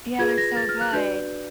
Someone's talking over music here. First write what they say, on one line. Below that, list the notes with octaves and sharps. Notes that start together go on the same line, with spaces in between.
Yeah, they're so good.
F4 G#4 B4 G#6
A#6
A6
F6
F#6
D4 F#4 B4 D5 G6